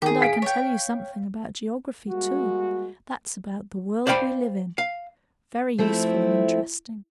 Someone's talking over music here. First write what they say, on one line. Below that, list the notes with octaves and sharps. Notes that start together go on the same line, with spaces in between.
And I can tell you something about Geography too,--that's about the world we live in,--very useful and interesting.
D#3 G4 G#4
F5 B6 D7
C#5 G5
G3 G#3 A#3 F#4
C5 D5 F5 G5 A5 B5
F5
F3 A3 C4 E4